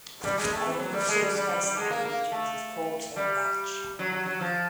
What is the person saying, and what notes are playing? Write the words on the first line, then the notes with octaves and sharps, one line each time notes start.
Any of the two spacelike regions is called a wedge.
G3
G#3
A3
E3
F#3
G3
G#3
G3
G3
G3
G3
G#3
A#3
A#3
A3
G3
F#3
F#3
F#3
F3